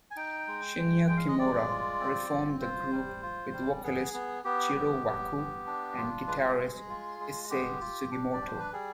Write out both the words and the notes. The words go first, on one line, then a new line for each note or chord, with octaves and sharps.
Shinya Kimura re-formed the group with vocalist Jiro Waku and guitarist Issei Sugimoto.
G#5
D#4 G5
G#3
G#3
G#3 G5
F5
D#5
G#3 D5
F4
C4
F4
F4 C5
G3
F4
G3
B3 G#4
B3
B3 G4
B3
B3
B3
D4
F4
G#3 B4
G#4
G4
G#3 G#4
F4
G#3
B3 G4
F4
D4
D5
D4 C5
B4
G3 G#4